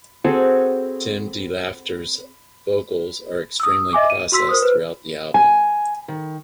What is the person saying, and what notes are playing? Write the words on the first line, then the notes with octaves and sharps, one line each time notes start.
Tim DeLaughter's vocals are extremely processed throughout the album.
C4 F#4 G#4 A4
D#6 E6
D#5 E5 G#5 D6
D#7
F#4 C6 E6 B6
A#4 C5 D#6
B4 C5
G#5
D#3